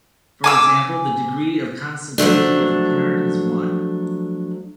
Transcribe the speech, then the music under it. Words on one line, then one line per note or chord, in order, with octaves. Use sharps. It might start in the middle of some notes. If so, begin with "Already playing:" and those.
For example the degree of consanguinity of a parent is one.
G#5 D6 E6
F3 F#3 A3 D4